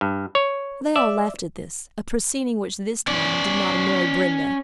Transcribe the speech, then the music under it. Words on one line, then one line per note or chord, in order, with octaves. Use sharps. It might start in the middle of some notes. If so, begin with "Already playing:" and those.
They all laughed at this, a proceeding which this time did not annoy Brenda.
G2
C#5
D5 E5
C#4 D5